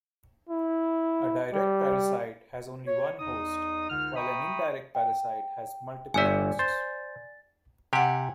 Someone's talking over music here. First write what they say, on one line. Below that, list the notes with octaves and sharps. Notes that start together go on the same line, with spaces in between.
A direct parasite has only one host while an indirect parasite has multiple hosts.
E4
G3
C#5
E2 D#4 D#5 D#6
C#2 D3 D#4 F6
E5 G5 A#5 B5 C#6 D#6
G5
G1 D5 E5 G#5
C5 A6
C3 G4 F#5 G#5